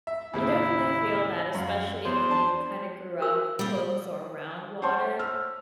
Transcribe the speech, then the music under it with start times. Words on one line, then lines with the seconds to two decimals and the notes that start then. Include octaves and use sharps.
You definitely feel that, especially if you kinda grew up close or around water,
0.07 E5
0.34 D#2 A2 C#3 E4
1.55 F#2 F5
2.05 E2 C5
2.29 D4 A5
3.21 F#4 A#4 E6
3.59 G3 A#3
4.82 C5 C#5 F#5 A5 C6 C#6
5.19 E6 F6